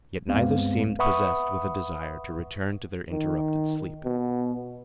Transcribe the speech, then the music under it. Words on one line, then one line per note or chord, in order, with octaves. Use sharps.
Yet neither seemed possessed with a desire to return to their interrupted sleep.
D2 G2 G#3 B3 C4 F5
B4 E5 F#5 B5 C#6 D#6
D#3
B2